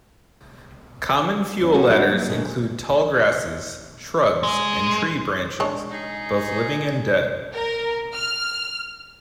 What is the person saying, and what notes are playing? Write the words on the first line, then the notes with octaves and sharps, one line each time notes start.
Common fuel ladders include tall grasses, shrubs, and tree branches, both living and dead.
D#2 C#4
C3 F3 C#4 F#4
G#3 D4 D#4 F#4 C#5 F#5
F#3 A#3
B2 D3 G#3 A#4
G#3
G#3 D4 C#5
D#4 G#4
A#4
F6